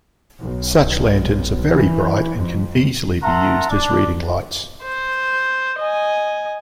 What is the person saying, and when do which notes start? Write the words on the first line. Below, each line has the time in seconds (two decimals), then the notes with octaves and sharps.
Such lanterns are very bright, and can easily be used as reading lights.
0.40 B1
1.72 E3
2.36 F2
3.22 A#4 E5 F#5 A5 A#5 C6
3.69 D4
4.82 C5
5.79 D#5 G#5